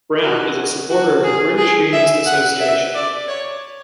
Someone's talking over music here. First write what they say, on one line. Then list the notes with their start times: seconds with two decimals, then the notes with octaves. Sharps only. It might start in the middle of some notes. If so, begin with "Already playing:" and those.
Brown is a supporter of the British Humanist Association.
0.22 F#4
0.90 F#4
1.24 G#4
1.58 G#4
1.92 E5
2.26 F#5
2.60 E5
2.95 D5
3.28 C#5